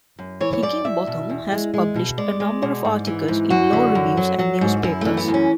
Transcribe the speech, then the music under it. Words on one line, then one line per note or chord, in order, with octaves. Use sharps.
Higginbotham has published a number of articles in law reviews and newspapers.
F#2
E3 C#5
C#5
F#2 D5
E2 E5
B2
E2
G#3
G#3
B2
G#3 D5
G#3
B2
G#2
E3
G#2
F#2 F#4
D3
F#2
F#3
F#3
G#2
F#2 E4
E3 A3
B3
F#2
C#4